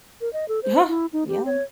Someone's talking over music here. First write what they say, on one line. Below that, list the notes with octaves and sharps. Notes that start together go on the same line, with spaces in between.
Uh-huh. Yeah.
A#4
D#5
A4
C5
E4
D#4
G4
C#5